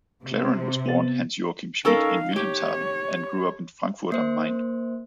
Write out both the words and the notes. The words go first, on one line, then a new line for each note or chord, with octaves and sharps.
Clarin was born Hans-Joachim Schmid in Wilhelmshaven, and grew up in Frankfurt am Main.
C3
B3 A6
C#4 D#4 A4 A#4 F5
G4 C#5
A#3 C5